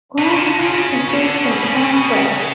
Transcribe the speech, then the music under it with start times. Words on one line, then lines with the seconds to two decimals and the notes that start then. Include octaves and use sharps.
Grasslands and fields can be found as well.
0.18 B2
0.29 C#3
0.39 D3
0.60 C#3
0.71 C#3
1.08 C#3
1.12 D3
1.44 C#3
1.55 B2
1.64 C#3
1.76 C#3
1.91 B2
2.06 C#3